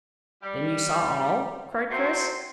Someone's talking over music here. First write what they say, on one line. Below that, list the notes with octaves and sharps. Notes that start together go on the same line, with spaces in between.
"Then you saw all?" cried Chris.
G3
F#3 A3 C4 C5